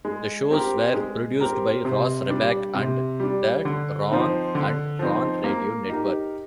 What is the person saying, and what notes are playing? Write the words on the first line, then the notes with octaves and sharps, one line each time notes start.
The shows were produced by Ross Reback and The Ron and Ron Radio Network.
G#3
C4 G4 A#4
G#3
C4 G4 A#4
C3
G3 D4
C3
G3 D4
D3
F3 C4 D#4
D3
F3 C4 D#4
A#3
D#4 G4 A#4